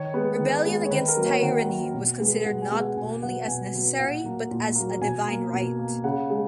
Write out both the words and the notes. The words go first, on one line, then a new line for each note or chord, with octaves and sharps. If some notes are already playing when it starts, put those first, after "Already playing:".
Rebellion against tyranny was considered not only as necessary, but as a divine right.
Already playing: D#3 C#5
G#3 B3
D#3
G#3 B3
C#5
D#3 B4
A#4
F#3 A#3
C#5
D#3 F#5
F#3 A#3
B2
G#3 B3
B2 F#5
G#5
G#3 B3
F#5
B2 G#5
F#3 B3 F#5
B2 G#5
F#3 B3
A#2 F#5
F#3 A#3
A#2
F#3 A#3
B2 G#5
A#3
B2
A#3
C#3 F#5
G#3